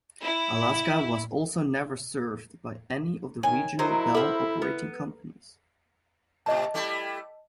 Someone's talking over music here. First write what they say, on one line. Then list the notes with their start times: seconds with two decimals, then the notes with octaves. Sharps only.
Alaska was also never served by any of the Regional Bell Operating Companies.
0.22 E4
3.43 D#3 C#5 G#5
3.79 F#3 D#4 E4 A#4 C5
4.15 A4 A#4 C5 E5 B5
4.62 B3 B4
6.46 A2 C3 D#5 A5
6.74 G3 A3 E4